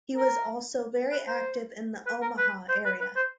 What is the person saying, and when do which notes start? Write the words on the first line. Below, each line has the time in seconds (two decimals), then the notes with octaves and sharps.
He was also very active in the Omaha area.
0.16 A#4
1.11 B4
1.27 C5
2.06 B4
2.22 A#4
2.38 B4
2.69 C5
2.85 B4
3.00 B4
3.16 C5